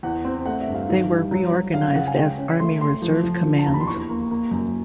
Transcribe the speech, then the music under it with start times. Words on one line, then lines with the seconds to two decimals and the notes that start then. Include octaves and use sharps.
They were reorganized as Army Reserve Commands.
0.03 E2 F#5
0.25 C4
0.46 A3 F#5
0.61 E5
0.68 G2
0.75 F5
0.89 D#3
1.11 G3
1.31 F#3
1.52 F#3
1.74 C#3 F5
1.95 C#3 F#5
2.07 G#5
2.16 G#3 G5
2.38 C#4
2.60 A3 C6
2.81 A3 C6
3.02 F3
3.24 F3
3.45 D3
3.59 A5
3.66 D#2 A#5
3.74 B5
3.80 C6
3.87 E2 C#6
4.09 A#3
4.31 A#3
4.51 F#2